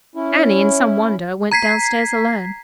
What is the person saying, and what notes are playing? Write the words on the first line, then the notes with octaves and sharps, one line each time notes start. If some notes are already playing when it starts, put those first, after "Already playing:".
Annie, in some wonder, went downstairs alone.
C#4 E4
A#5 G#6 B6 C7